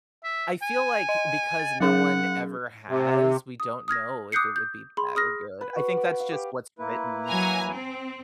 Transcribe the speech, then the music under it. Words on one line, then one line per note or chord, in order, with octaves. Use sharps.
I feel like, because no one ever has, we don't know if it would be bad or good. I think that's just what's written.
E5
G#5
D#5
A6
F#3 C#4 G#4 F#5
C3
D#6
D#6 F6 G#6 A#6
D6 D#6 F#6 G6 C7 C#7
G6
G#4 B5 C6
G#4 D#6 F6 A#6
B4
F#4
D5
F5
G4
A#3 E4 B4
F#3 G#5 A#5
C4